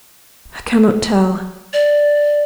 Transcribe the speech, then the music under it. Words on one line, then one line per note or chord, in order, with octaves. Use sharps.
I cannot tell.
D5